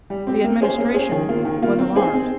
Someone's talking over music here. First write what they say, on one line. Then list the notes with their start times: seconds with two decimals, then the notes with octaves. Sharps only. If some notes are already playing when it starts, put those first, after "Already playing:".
The Administration was alarmed.
0.10 G3
0.27 C4 G4
0.44 A#3
0.61 C#4 G#4 C5
0.78 A#3
0.94 C#4 G#4 C5
1.11 D#3
1.29 A#3 F4
1.45 D#3
1.62 A#3 F4
1.79 C4
1.95 D#4 G#4 C5
2.13 C4